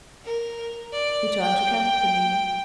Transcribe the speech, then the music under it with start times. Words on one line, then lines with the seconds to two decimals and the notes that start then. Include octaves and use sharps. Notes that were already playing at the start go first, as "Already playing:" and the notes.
He turned to Campany.
0.24 A#4
0.93 D5
1.42 G5